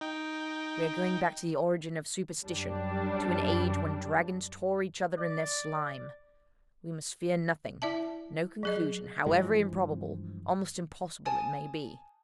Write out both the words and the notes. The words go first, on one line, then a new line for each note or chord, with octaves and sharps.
We are going back to the origin of superstition--to an age when dragons tore each other in their slime. We must fear nothing--no conclusion, however improbable, almost impossible it may be.
D#4 G5
F#2 G3 D4
D5
E4 D5 E5 A5
F#3 G#4 D#5
G2 E3 F3 G#3
G#5 A5 D#6